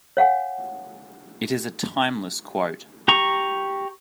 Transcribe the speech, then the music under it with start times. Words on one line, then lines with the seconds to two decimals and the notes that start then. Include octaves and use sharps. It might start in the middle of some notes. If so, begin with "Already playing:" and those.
It is a timeless quote.
0.17 C#5 F5 F#5 G#5
3.08 G4 A#5 C#6